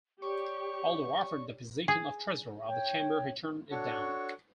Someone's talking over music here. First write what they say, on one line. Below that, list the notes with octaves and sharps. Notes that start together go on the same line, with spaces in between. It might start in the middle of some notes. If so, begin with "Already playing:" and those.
Although offered the position of Treasurer of the Chamber he turned it down.
G4 C#5 D5 C#6
G#4
C#5 G5
D4 F#4 A4 C#5 C#6